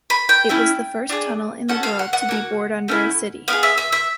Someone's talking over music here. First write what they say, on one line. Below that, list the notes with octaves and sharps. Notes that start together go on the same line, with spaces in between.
It was the first tunnel in the world to be bored under a city.
B5
G5
A3 C#4 E4
D4 F4 G#4
C#4 F#4 A4 F#5
F5
F#5
F#5
A#3 D4 F#4
A3 C#4 E4
B3 E4 G#4 F5
E5
E5
E5